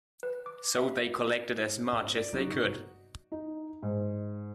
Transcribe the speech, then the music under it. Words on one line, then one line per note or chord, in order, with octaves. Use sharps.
So they collected as much as they could.
B4
D6
E5
G#2
D5
F#1 F#3 B3 D#4 F#4
G2 C3
D#4
G#2